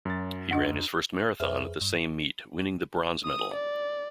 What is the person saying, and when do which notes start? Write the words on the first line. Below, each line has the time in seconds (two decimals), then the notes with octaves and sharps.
He ran his first marathon at the same meet winning the bronze medal.
0.05 F#2 F#3 A6
0.51 F2 D4 D#5
1.40 F2 G#4 B4 C5 E5 F6
1.81 G2
3.25 D#6
3.54 D5